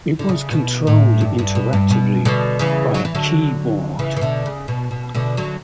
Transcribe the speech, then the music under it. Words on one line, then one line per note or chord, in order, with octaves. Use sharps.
It was controlled interactively by a keyboard.
D3
C#3
B2
A2
G2
G2
B2
G2
B2
B2 D3
C#3 E3
F#3
E3
D3 F#3
C#3 E3
E3
B2 D3
C#3
B2
B2
B2 D3
D3 F#3